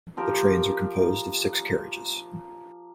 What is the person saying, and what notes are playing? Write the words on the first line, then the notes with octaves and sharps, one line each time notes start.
The trains are composed of six carriages.
F3 G4 A#4